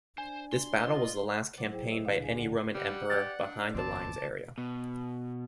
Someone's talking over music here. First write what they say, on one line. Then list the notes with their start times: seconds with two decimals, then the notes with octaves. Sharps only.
This battle was the last campaign by any Roman Emperor behind the Limes area.
0.18 D4 C5 G#5
0.53 C6
0.84 F4 D5 D#5
1.58 A2 F#3 C5 F#5 D6
1.70 E4 G#4 C5 G5
1.90 A#2 E4 D#5 E5
2.05 D2 B2 D3 D4 F5
2.21 G#4 G#5
2.36 G#2 D3 D5 F#5
2.75 G3 F#5
3.10 G4 D5 A6
3.41 D4
3.74 G1 E2 A#2 C4 A5 D6
4.58 B2